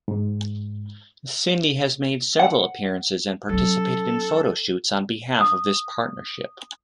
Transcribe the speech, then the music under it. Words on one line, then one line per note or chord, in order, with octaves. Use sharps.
Cindy has made several appearances and participated in photoshoots on behalf of this partnership.
G#2
F#5
F#3 C#4 A4
D#6